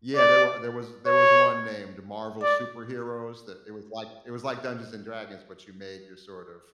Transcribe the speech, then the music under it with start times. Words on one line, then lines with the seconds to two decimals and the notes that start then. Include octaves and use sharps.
Yeah, there were there was there was one named Marvel Superheroes that it was like it was like Dungeons& Dragons, but you made your sort of
0.17 D5
1.07 C#5
2.43 D5